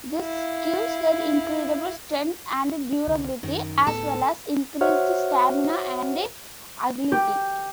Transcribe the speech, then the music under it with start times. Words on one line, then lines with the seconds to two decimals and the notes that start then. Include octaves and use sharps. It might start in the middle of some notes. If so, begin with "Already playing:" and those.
This gives her incredible strength and durability as well as increased stamina and agility.
0.16 E4 F5
3.07 C2 D3
3.43 F#2 D#3
3.87 D1 A2 B3 A4
4.81 F#4 C5 C#5 E5 F#5 F6
7.12 G4